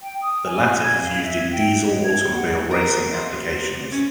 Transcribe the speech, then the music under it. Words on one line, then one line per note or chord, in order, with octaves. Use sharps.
The latter is used in diesel automobile racing applications.
G5
D#6
G#5
G#6
F5
E5
G5
D#5
G#6
F#5
A#4
C5
C#4